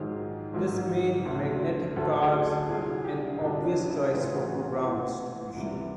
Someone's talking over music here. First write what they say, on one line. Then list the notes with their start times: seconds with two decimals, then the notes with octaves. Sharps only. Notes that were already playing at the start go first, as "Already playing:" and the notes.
This made magnetic cards an obvious choice for program distribution.
Already playing: A#1 G#2 D#3 F#3 G#4
0.53 A#1 G#2 D#3 F#3
1.25 D2 D3 F#3
1.96 D2 D3 F#3 A4
2.21 G#4
2.45 A4
2.69 C2 A#2 F#3 G#4
3.05 G4
3.40 C2 A#2 F#3 D4
3.64 C#4
3.89 E4
4.12 A1 A2 E3 F4
4.36 F#4
4.60 F4
4.84 A1 A2 E3
5.56 C#2 C3 E3 G3